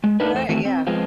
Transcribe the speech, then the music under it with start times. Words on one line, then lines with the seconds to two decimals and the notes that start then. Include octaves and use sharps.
Alright, yeah.
0.04 G#3
0.20 A3 D4 D#4 A#4 B4
0.34 E2 A3 C5
0.49 D#3 E3 A3 C4 F#4
0.65 C4
0.87 F3 G#3 B3 C4 F4